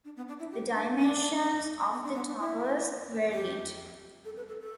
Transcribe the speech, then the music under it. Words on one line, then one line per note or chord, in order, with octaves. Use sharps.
The dimensions of the towers varied.
D4
B3
D4
E4
G4
D4
D4
B3
D4
B3
D4
E4
G4
A4
B4
A4
A4